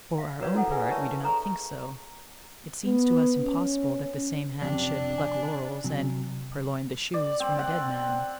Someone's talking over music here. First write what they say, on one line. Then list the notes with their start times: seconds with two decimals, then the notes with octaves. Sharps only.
For our own part, we do not think so; it seems to us impossible that the same hand should pluck laurels and purloin the shoes from a dead man.
0.18 E5 F5
0.41 F#4 A#4 B4 C#5 D5 F5
0.55 E4 A4 F#5
0.71 G#4 B4 E5 G#5
0.91 A#4 C#5 D5 E5 A5 C#6
1.23 A4 A#5 C#6
2.86 B3
3.42 C#4
4.62 F2 C3 D4 G4
5.18 G#5
5.84 C3 F#3
7.14 D5
7.40 C4
7.59 F#5